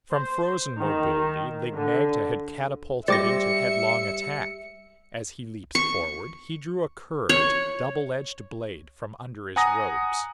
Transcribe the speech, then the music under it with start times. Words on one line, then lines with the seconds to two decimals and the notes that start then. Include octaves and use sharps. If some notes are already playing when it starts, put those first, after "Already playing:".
From frozen mobility Lig-magte had catapulted into headlong attack. As he leaped forward he drew a curved, double-edged blade from under his robes.
0.12 C5
0.80 D#3
1.74 D3
3.08 G3 C5 D5 E5 D6 A#6 C#7
5.75 C#6
7.29 C#5
9.56 F#5 G#5 A#5 D#6 A#6